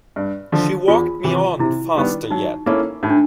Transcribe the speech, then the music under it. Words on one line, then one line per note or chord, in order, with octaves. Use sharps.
She walked me on faster yet.
G2
D3 F3
E2 F4
C3 E3
C3 E4
D#3 G3 B3 D4
F#3 D#4
A#3 C#4 E4 A4
A2 D#4
D4